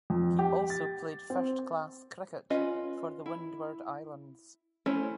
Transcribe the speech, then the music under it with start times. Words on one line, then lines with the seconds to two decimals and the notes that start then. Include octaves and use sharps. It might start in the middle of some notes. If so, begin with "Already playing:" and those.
He also played first class cricket for the Windward Islands.
0.10 F2
0.39 G4
0.70 A6
1.30 C4
2.50 C#4 F4 B4 D#5
3.26 E4
4.86 A3 C#4 E4 C5 C#5